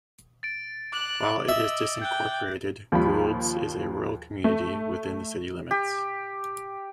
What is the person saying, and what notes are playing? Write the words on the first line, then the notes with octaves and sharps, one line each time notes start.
While it is disincorporated, Goulds is a rural community within the city limits.
A6 D7
D6 F#6 F#7
D#5 E5
G5 F#6 G6
D#2 F3 G3 B5
A3
G4